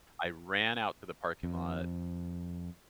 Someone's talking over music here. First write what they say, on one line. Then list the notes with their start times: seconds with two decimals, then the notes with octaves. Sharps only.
I ran out to the parking lot.
1.43 F2